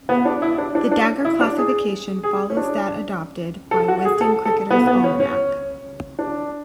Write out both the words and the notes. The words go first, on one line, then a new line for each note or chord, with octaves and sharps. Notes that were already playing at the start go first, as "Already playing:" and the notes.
The dagger classification follows that adopted by "Wisden Cricketers' Almanack".
B3
D4
E4
D4
D4
D4
E4
D4
G#4
G#4
C#4
D4
A4
F#4
G#4
A4
A4
B3
B3
C#4
C#4
D4